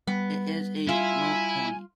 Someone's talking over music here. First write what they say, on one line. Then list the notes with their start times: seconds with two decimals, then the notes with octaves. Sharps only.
It is a moot point.
0.07 G3 B3
0.89 E4 F4 E5 G#5